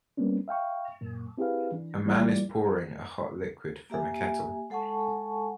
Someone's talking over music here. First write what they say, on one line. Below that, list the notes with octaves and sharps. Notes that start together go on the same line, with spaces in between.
A man is pouring a hot liquid from a kettle.
G3 A#3 B3 C#4 D4
E5 F5 G5 C#6
F#2 A#2 A#3
C4 E4 G4 G#4 B4 F5
E3 D4
E3 G3 A#3 E4 F4 D5
A#3 G4 E5 G#5
G#3 A4 F#5 G#5 A5 C#6